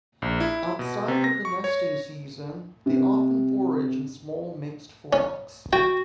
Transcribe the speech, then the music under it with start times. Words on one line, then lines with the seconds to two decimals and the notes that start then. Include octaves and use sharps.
Outside of the nesting season they often forage in small mixed flocks.
0.22 A#1
0.40 E4
0.79 B2
1.08 C3
1.24 A#6
1.45 C#6
1.64 C#5
2.86 C3
5.13 C#4
5.73 F#4 G5